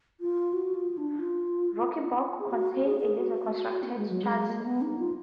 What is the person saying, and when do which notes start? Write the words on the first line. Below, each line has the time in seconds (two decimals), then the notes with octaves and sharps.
Rokenbok contains a user-constructed chute system.
0.20 F4
0.53 F#4
0.74 F4
0.97 D4
1.19 F4
2.40 G#4
2.51 F#4
2.85 G#4
3.00 G#4
3.18 F#4
3.83 A#3
3.97 G#3
4.10 F#3
4.23 G#3
4.49 A#3
4.66 B3
4.82 D#4
4.99 F4